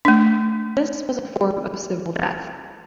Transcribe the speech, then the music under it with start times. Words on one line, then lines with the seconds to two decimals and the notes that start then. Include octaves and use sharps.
This was a form of civil death.
0.05 A3 D4